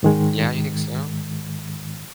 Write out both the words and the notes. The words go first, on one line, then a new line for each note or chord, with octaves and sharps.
Yeah, you think so?
G#2 D#3 G#3